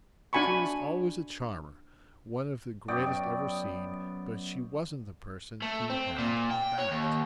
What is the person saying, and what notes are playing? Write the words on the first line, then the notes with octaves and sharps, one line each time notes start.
She was always a charmer, one of the greatest ever seen, but she wasn't the person he had "backed."
D4 F#4 G#5 B5 C#6
F#2 B3 D5 G5
A3
C4
A#2
G5
C#5
D#2